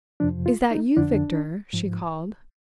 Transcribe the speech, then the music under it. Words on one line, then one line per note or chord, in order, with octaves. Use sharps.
"Is that you, Victor?" she called.
F2 C3 F3 D4
F4
D#4
F2 D3 F3 D4
G#2 F3